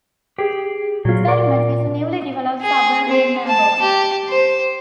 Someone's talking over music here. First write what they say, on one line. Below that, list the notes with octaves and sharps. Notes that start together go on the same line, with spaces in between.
Derrimut is a newly developed suburb in Melbourne.
G4 G#4
A#2 F#3 F4
A#4 D5
G#4
C4
A5
G4
C5